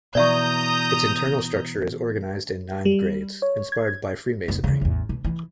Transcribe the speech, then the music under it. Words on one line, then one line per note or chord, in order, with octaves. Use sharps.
Its internal structure is organized in nine grades, inspired by Freemasonry.
B2 E3 D5 E5 A#5 C#6 D#6 G6
G3
C#5
G#6
F1 B3
E2 C#3
A1 E2
B2
E3